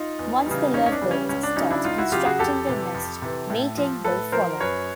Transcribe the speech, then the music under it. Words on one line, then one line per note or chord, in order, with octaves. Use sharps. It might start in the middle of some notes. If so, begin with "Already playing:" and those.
Once the lovebirds start constructing their nest, mating will follow.
Already playing: D#4 F4
E2
C#3 E3 G3
E2 C#4 D#4
C#4
D4
C#3 E3 G3
C#4
C#2 C#4
D4
C#3 F#3 C#4 D#4
D4 E4
C#2 D#4 F4
E4 F#4
C#3 F#3 F4 G4
F#4 G#4
F2 G4 A4
C3 E3
F2
C3 E3
A2
F3
A2 A4 B4
F3 A#4 C5
F#2 B4 C#5